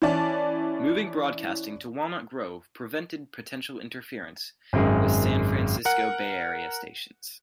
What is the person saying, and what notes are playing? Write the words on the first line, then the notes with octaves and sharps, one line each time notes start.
Moving broadcasting to Walnut Grove prevented potential interference with San Francisco Bay Area stations.
E3 C#4 E4 D5 A5
G#1 F#2 G#3
A#4 F#5